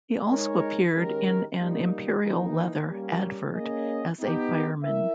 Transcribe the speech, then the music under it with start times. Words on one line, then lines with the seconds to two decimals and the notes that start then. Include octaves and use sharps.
He also appeared in an Imperial Leather advert as a fireman.
0.29 G#3 D#4 A#4 C#5
0.93 D#3 G#3 C#4 G4 A#4
1.58 G3 A#3 D#4
2.23 E3 A#3 D#4
2.88 G3 A#3 C#4
3.54 A#3 C#4 G#4 D#5
4.18 B3 D#4 G4
4.84 E4 A#4 E5